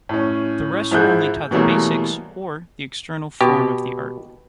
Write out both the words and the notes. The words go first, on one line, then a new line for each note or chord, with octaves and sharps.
The rest are only taught the 'basics' or the external form of the art.
A2 C#4
G#2 F3 E4 G#4 F#6 G6
B2 E3 F#3 G3 A3 A#3
B2 G4